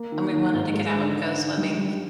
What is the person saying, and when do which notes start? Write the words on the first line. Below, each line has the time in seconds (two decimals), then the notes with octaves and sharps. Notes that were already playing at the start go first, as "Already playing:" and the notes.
and we wanted to get out and go swimming,
Already playing: A#3
0.12 D#3
0.33 D#3
0.53 G#2
0.74 G#3
0.95 D3
1.15 D4
1.36 D4
1.57 G3
1.78 G3